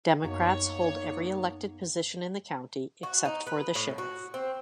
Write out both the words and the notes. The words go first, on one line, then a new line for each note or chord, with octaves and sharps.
Democrats hold every elected position in the county except for the sheriff.
F#2 A#3 B3 D#4 C#5
F#4
D#4
B4
A2
F#4
C4